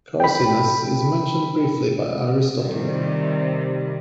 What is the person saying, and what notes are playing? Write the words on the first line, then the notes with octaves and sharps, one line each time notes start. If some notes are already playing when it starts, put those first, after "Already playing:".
Carcinus is mentioned briefly by Aristotle.
G5 B5
C3 D#3 G3